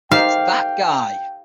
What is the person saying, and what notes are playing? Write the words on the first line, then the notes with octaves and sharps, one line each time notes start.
It's That Guy!
D#4 G4 A4 C5 F5 G5